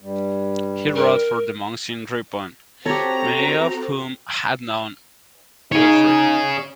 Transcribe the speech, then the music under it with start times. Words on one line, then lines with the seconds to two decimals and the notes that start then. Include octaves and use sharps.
He wrote for the monks in Ripon, many of whom had known Wilfrid.
0.01 G2 G3
0.96 A#4
2.86 C4 F#4 G4 A4 C#5 A#5
5.72 D#4 G#4 C#5